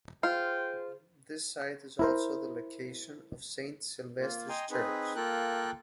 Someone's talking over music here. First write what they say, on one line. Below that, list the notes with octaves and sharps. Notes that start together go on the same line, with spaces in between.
This site is also the location of Saint Sylvesters Church.
F4 G#4 C5 G5
E4 A#4 C5
A#3 F4
D#5 G5 G#5 A#5 C6
C4 D#4 G#4 B4
A#3 F4 A4 A#4 G5 F#6